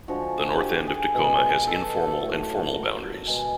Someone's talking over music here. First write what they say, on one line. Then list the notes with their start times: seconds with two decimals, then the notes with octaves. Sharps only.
The North End of Tacoma has informal and formal boundaries.
0.08 D3 F3 G#3 F#4
0.61 G4
0.87 G#4
1.14 B2 G#3
1.67 A4
1.95 A4
2.20 A2 F#3 A3
2.74 A#4
3.27 B2 G#3